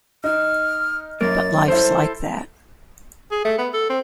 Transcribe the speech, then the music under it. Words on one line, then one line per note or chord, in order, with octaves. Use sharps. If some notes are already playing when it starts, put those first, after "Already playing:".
But life's like that.
D#4 F6
F#2 A#3 A6
E4 A4 C5
G#4
A3
B3
A4
C4